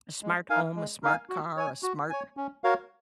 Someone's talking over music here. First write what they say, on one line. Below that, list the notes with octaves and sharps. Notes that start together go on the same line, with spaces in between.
A smart home, a smart car, a smart
G#3
D#4 A#4 F5 G#5
G#3
D#4 A#4 F5 G#5
F#4
C#5 G#5
F#4
C#5 G#5
C#4
F#4 A#4 C#5 F5